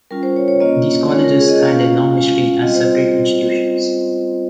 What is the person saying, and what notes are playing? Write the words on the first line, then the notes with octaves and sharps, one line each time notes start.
These colleges had a long history as separate institutions.
G3 C#4 F4 A#4
C5
C#5
C#5
A#3 C#4 F4 D#5
G#3 C#4 F4 C#5
A#4
G#4
D#5
A#3 C#4 F4 F5
G#3 C#4 F4
G3 C4 F4 D#5
C5